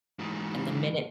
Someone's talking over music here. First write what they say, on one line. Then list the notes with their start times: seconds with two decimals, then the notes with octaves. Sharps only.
And the minute
0.19 G#2 E3